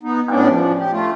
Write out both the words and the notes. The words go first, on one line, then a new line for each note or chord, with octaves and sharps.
I would
B3 D#4
A2 B3 C#4 D4 D5
F3
G4
A3 F4